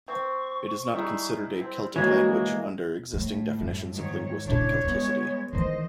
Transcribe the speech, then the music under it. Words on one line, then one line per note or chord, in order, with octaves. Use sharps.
It is not considered a Celtic language under existing definitions of linguistic Celticity.
C4 C#6
G3 D#4 E4 G#4
C4
C#3 E3 G#3 A#3 F#4 C#5
A2 A3
F#2 G3
G#2 D#3 C#5
D#1 C#3 D4 E4 C#5
G3 G#3 B3
D#3 E3 C5 D#5